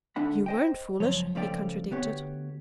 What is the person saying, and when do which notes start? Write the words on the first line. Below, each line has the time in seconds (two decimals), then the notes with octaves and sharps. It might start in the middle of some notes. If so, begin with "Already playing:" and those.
"You weren't foolish!" he contradicted.
0.16 D3 A3 D4 F#5 B5
0.46 C5 D#5 G5
1.00 C#2 F#2 F3 C#5
1.35 C#2 F3 A3 C#4 D5 G5
1.91 D2 B3 G4 C#5